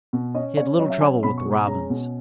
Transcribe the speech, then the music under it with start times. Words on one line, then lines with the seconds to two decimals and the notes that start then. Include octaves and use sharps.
He had little trouble with the robins.
0.13 B2
0.34 C#4 D#5
0.57 C#4 C#5
0.78 F#3 D#5
0.90 E5
1.01 C#4 G#5
1.23 B2 B5
1.38 C#6
1.45 G#3
1.52 B5
1.67 C#4 A#5
1.90 B2